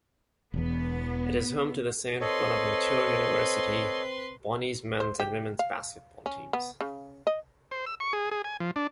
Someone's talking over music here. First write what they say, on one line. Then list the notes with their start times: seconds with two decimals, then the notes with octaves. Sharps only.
It is home to the Saint Bonaventure University Bonnies men's and women's basketball teams.
0.54 E1 E2 B3
2.21 C4 A4 B4 C#5 D#5 C6
5.00 C5
5.20 G4
5.59 F5
6.26 C#4
6.53 B3
6.81 C#3
7.27 D#5
7.71 C5
7.86 E6
8.00 C#6
8.13 G#4
8.31 G#4
8.44 G#5
8.60 F3
8.76 D4